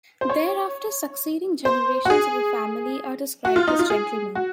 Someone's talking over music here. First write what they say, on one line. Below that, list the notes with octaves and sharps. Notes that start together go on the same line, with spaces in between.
Thereafter succeeding generations of the family are described as gentlemen.
C5
C#5
C5
F#4
G#4
F#4
F4
D#4
F4
G#4
F#4